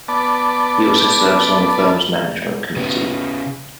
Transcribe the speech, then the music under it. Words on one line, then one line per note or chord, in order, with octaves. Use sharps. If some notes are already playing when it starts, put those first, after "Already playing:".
He also serves on the firm's Management Committee.
B3 D5 A5
C#3 B3